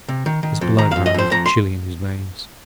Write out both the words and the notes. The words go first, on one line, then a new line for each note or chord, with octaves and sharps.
His blood ran a little chilly in his veins.
C3
D#3
D#3
F2
D#3 A#5
F2 F5
D#5
F2 C5
F2 A#5
C6